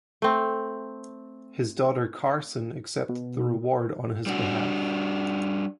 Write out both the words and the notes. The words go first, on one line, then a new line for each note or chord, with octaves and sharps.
His daughter Carson accepted the award on his behalf.
A3 C4
B2
G3 D4 F#4